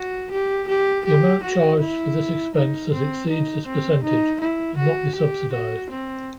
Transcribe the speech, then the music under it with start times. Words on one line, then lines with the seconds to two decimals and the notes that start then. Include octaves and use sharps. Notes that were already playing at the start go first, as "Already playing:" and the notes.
The amount charged for this expense that exceeds this percentage will not be subsidized.
Already playing: F#4
0.31 G4
0.68 G4
1.06 G4
1.43 F#4
1.80 E4
2.55 D#4
2.92 C4
3.30 D#4
3.66 C4
4.03 D#4
4.41 E4
4.77 F#4
5.15 G4
5.53 F#4
5.90 C4